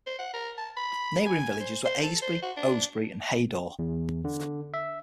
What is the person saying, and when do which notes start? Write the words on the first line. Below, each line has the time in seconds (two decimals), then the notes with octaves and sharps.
Neighbouring villages are Aisby, Oasby, and Heydour.
0.07 C5
0.19 F#5
0.34 A#4
0.58 A5
0.77 B5
1.26 G#5
1.60 C5
1.85 C5
2.03 A4
2.22 C5
2.43 F#4
2.57 D4
3.79 E2
4.25 D3
4.74 E5